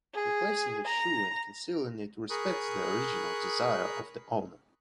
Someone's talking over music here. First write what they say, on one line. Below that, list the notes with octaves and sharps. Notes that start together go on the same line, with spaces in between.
Replacing the shoe and concealing it respects the original desire of the owner.
G#4
A#5
G#4 A#4 B5 C#6 D#6 F#6